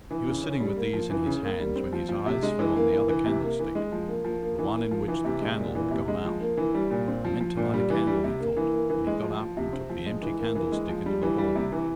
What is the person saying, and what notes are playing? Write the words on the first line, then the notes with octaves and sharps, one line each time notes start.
He was sitting with these in his hands when his eyes fell on the other candlestick, the one in which the candle had gone out "I meant to light a candle," he thought, and he got up and took the empty candlestick into the hall.
E3
C#3
C#4
G3
A#3
F3
E3
C#3
A#3
G3
C4
F3
F3
C3
G#3
E3
A#3
E3
E3
C3
A#3
E3
G#3
F3
A#3
F3
A#3
E3
A#3
F3
E3
C3
G#3
A#2
E3
C3
G#3
F3
A#3
E3
G3
A#2
C4
F3
F3
A#2
G3
E3
G3
C3
A#3
E3
A#3
E3
G#3
F3
F3
C3
C4
F3
G#3
E3
A#3
E3
G#3
F3
G3
E3
G3
C3
E3